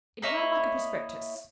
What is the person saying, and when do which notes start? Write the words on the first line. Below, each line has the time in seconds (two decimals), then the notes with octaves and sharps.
It ran like a prospectus.
0.22 A#3 E4 C#5 D#5